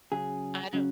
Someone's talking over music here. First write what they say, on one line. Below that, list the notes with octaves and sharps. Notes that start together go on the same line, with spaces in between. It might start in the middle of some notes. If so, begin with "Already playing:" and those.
I don't
C#3 F#3 C#4 G#4
C#3 F#3 C#4